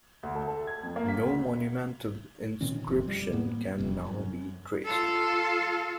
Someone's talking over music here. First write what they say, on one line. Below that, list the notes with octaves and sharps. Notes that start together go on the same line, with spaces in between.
No monumental inscription can now be traced.
D2
A4
A4
G#6
F2
A#3
B6
D2
A#2 D#3 C4 C#4
F#1 F2 C3
G3
A2 A#3 B3
F1 F2 C3
F#2
F4 A4